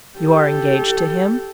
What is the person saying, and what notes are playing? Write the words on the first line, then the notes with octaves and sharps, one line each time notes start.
"You are engaged to him?"
G4 A4